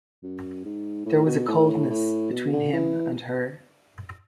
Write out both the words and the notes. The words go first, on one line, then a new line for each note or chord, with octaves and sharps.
There was a coldness between him and her.
F#2
G#2
A2
B2
A2
A2
B2
D3
E3